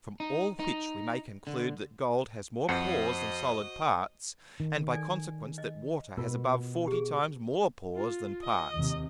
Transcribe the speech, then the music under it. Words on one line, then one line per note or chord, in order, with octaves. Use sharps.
From all which we may conclude, that Gold has more Pores than solid parts, and by consequence that Water has above forty times more Pores than Parts.
D#4
D#4
D3
F2 F#4 C5 D#5 F#5
D#3
A4 D5 G#5
D#5
B2 F4 A#4
G4 G#4
F4
D#5
D#2 C3